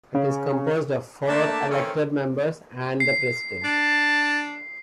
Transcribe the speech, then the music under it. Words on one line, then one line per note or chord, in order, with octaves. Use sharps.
It is composed of four elected members and the President.
C#3
A3 A#3 D4 D5 E5 A5
D#3 E3 A3 C4 C#4
C7
D4 A5